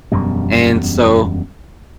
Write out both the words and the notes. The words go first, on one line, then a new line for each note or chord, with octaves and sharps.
And so
E1 F#2 B2 G3